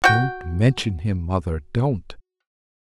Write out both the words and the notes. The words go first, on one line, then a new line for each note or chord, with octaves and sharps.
'Don't mention him, mother, don't!'
F#4 G5